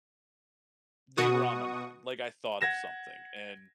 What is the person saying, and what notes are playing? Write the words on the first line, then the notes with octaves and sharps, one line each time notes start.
they were on my mind. Like, I thought of something and,
B2 F#4 C#6 D#6
F#5 G#6 A#6 E7